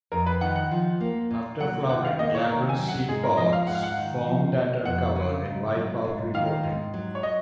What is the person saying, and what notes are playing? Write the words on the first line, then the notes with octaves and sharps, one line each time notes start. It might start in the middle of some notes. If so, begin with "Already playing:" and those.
After flowering glabrous seed pods form that are covered in white powdery coating.
F2 A#4
B4
D#3 F#5
F#5
F3
A#3
A#2
F#3 F#5
D#3 F#5
F5
A#3 D#5
C#5
D#3 A#4
G#5
F#3
F#5
G#2 G#4
A#4
F3 D#5
F5
G#2 F#5
F5
F#5
D#3
F3
B3
F2 F#5
C#3
G#2
F#3
G#2
D#3 F5
G#2
F#3
C#5
D#5